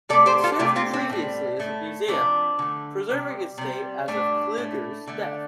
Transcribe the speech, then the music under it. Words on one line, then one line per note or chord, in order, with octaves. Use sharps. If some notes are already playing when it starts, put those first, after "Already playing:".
It served previously as a museum, preserving its state as of Kluger's death.
C3 A3 A4 D5
G4 C5
F4 A4
C3 A3 D4 G4
C4 F4
C4
A2 G3
A2 A3
C3 F3 A3 D4
D3 A3
C3 G3
C3 G3
A2 G3 A3 D4
A2 A3
D3 A3